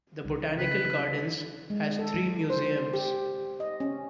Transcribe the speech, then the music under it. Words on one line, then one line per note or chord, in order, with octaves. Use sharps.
The Botanical Gardens has three museums.
C2
C#3 B4
G#3
A4
C5
G4
D#5
C#4